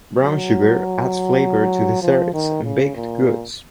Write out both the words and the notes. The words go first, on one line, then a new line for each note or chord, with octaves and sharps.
Brown sugar adds flavor to desserts and baked goods.
F#3
F3
D#3
C#3
A#2